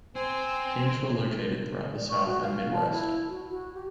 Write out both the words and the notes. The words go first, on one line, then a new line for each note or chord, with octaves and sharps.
Teams were located throughout the South and Midwest.
C4 C5 G#5
D5
C#6
F#4
F5
A5
E4
F#4
F#4
G4